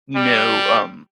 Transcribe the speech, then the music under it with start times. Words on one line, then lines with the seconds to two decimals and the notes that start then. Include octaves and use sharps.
you know, um,
0.16 G3